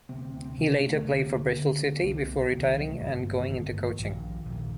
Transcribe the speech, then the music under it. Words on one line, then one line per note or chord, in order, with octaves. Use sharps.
He later played for Bristol City before retiring and going into coaching.
D2 C3 C4
C4
C4
C4
D2 C3 D4
A3
D2 D3 A#3
A#3
D2 D3 C4
A3
A#3
C2 C3 C4
A#3
C2 C3 D#3
D#3
F3
A3
A1 G2 D3 A#3
D#3
A1 G2 D3
A#1 A#2
A#1 A#2 D#3